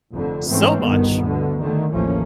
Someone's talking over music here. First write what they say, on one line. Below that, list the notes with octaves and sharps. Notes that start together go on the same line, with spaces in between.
so much
F1 F2 D3
G#2 E3 A3 C4 C#4
G1 C2 G2 B2 D#3 B3
D2 B2 D3
D3 D#3 A3
A1 D#2 F3 A#3 C#4